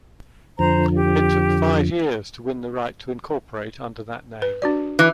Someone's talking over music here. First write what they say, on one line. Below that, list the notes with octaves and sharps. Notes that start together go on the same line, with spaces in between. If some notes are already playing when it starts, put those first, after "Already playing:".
It took five years to win the right to incorporate under that name.
F2 D3 F3 C5 A#5
G4
B4
D4 F#4 D5
E3 B4 D6